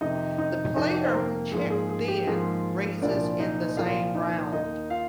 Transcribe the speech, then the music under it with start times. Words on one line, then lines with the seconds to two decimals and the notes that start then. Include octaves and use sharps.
The player who checked then raises in the same round.
0.01 F2 C3 D#3 D#4 D#5
0.38 D#4 D#5
0.76 F2 C3 D#3 D#4 D#5
1.04 C5
1.14 A#3 A#4
1.52 G#2 F3 A#3 G#4
1.70 G#4
1.89 G#4
2.08 G4
2.27 G#2 F3 A#3 G#4
3.02 C2 A#2 F3 A#3 D4 D5
3.40 D#4 D#5
3.77 C2 A#2 F3 A#3 F4 F5
4.15 D#4 D#5
4.52 D#2 D#3 A#3 D#4 D#5
4.90 F4 F5